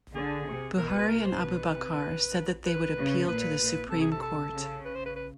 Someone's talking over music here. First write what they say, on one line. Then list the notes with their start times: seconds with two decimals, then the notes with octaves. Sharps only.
Buhari and Abubakar said that they would appeal to the Supreme Court.
0.14 D3 G#4
0.46 C3
0.78 B2 A#4
0.88 B4
0.99 B4
1.09 A#4
1.25 C5
1.40 B2 B4
1.71 C3
2.66 B4
2.97 C#3
3.28 A#2 B4
3.60 A#2
3.91 C3 A4
4.01 G#4
4.12 A4
4.22 A4
4.53 C#3
4.85 B4
4.95 C5
5.06 B4
5.16 B4